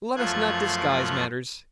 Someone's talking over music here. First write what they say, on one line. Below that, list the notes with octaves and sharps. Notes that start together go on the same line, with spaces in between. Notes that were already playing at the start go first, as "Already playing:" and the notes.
Let us not disguise matters.
F#2 F3 A3 F4 F#6 G#6